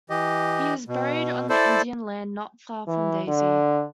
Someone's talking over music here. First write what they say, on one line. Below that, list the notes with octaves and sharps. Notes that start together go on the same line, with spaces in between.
He is buried on the Indian land not far from Daisy.
E3 G4 D#5
B2
E4 A4 C5 D5
E3
D3